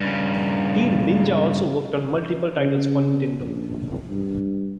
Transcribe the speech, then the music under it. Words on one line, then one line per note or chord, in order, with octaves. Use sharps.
Team Ninja also worked on multiple titles for Nintendo.
G2 C#3
C#3
A#1
G2